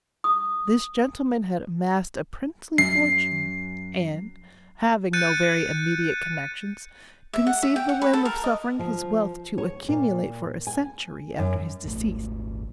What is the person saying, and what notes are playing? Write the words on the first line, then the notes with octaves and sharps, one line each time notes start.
This gentlemen had amassed a princely fortune, and, having no very immediate connexions, conceived the whim of suffering his wealth to accumulate for a century after his decease.
D#6
F#2 C7
F#6 G6 A6 C#7 D#7
E5
F#5
E5
G5
F#5
B4
A4
A#4
D#5
F3
C#5
A#2
G#5
F#2
D#1 G#1 A3